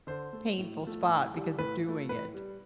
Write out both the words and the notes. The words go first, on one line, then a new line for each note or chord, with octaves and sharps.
painful spot because of doing it.
D3 C5
A3
A2
F3 A3
A2
E3 G3
A2 B4
F3 A3
A2 B4
G3